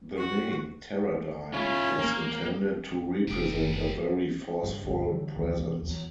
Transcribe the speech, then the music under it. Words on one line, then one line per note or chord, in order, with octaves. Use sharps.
The name, Teradyne, was intended to represent a very forceful presence.
F#4
C#4 E4 F4
A#3
F1 F#2 G5
F#1
G2 C#3
G1 D2 G2
D3 E3 F#3 G3
D#2 F#3 A#3
E2
E2 F#3